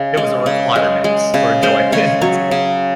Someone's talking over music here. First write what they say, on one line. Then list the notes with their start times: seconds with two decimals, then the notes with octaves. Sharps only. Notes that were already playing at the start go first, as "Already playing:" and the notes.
It was a requirement for enjoyment.
Already playing: C#3 D#5
0.17 G#3
0.46 C#3
0.76 G#3
1.04 G#3
1.34 C#3
1.63 G#3 C5
1.92 C#3 C#5
2.21 F#3 C#5
2.51 C#3